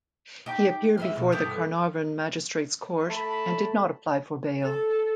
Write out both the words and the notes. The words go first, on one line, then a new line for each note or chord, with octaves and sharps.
He appeared before the Carnarvon Magistrates Court and did not apply for bail.
D#4 G4 G5 D6
E2 G#3 E5 F6
B2
G2 B3 G4 A4 D6
A3 A5 B5
A4